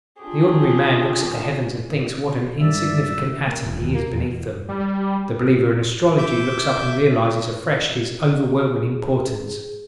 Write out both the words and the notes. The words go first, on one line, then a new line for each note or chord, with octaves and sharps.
The ordinary man looks at the heavens and thinks what an insignificant atom he is beneath them; the believer in astrology looks up and realizes afresh his overwhelming importance.
D4 F4 G4 G#4
G2 G3 G#3 D4 D#4 D5 E5
A#3
E1
D#2
A#3
E2
G3
E5 D6 G6
G#4